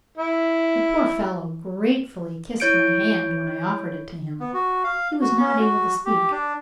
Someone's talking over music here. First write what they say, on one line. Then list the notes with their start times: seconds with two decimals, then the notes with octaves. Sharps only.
The poor fellow gratefully kissed my hand when I offered it to him--he was not able to speak.
0.17 E4
2.60 E4 C#5 G6 C#7 D7
4.40 B3
4.54 F#4
4.84 F5
5.21 F#4
5.40 C#4
5.60 F#4
6.06 G4
6.31 D4